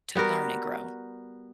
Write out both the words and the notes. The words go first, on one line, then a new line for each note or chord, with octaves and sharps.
to learn and grow.
G3 B3 F#4 A#4